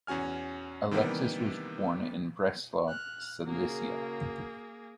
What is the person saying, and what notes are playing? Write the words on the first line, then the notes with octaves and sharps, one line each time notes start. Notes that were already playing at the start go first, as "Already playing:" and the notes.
Alexis was born in Breslau, Silesia.
E2 C#4 F#4 G#5 F6
C3 D#3 E3 G3 A#3 B3
F6 F#6
C#3 A#3 F#4 G#4 A#4